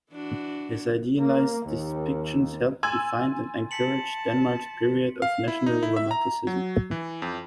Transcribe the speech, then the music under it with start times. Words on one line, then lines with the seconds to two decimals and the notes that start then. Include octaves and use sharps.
His idealised depictions helped define and encourage Denmark's period of national romanticism.
0.11 E3 D4 F#4
1.19 A#3
1.66 D#2
2.83 G#5 C6 E6 G#6 A6
3.71 A5 B6 C#7 F#7
5.22 F5
5.48 E4
5.66 D#4
5.83 E4
5.96 E5
6.11 A#5
6.47 F#3
6.91 E3
7.22 F2